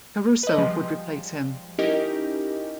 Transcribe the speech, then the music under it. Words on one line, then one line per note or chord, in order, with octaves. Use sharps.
Caruso would replace him.
B4 D#5
F3 G3 G#3
C#4 D#4 E4 G4 A#4 D#5